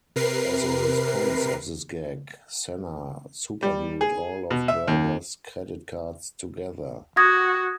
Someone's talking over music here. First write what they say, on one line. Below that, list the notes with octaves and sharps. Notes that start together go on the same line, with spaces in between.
As a response to this gag, Senna superglued all of Berger's credit cards together.
C3 A#4 B4 C7
G3
G#4
B2
E5
D#2
F#4 D#6 G#6 A#6